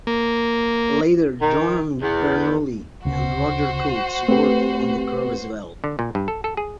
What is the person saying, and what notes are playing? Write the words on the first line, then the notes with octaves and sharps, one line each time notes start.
Later Johann Bernoulli and Roger Cotes worked on the curve as well.
A#3
D#3
E2
D2 C#3 F#4 C5
A3 C4 G4 B4
D3
A#2
G2
A4
A4
G#4